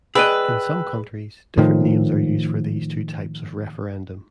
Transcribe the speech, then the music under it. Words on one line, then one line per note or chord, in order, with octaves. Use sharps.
In some countries, different names are used for these two types of referendum.
G#4 B4 D5 D#5 G5 E6 F#6
A2 D#3 F3